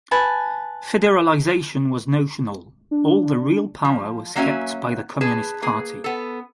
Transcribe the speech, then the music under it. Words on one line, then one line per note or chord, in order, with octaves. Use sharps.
Federalization was notional - all the real power was kept by the Communist Party.
B4 G#5 A5
D4
F3
F#3 A#3 C#4 F#4 E5 G#5
G#4 B4 A5
A#3 G#4
B3 A4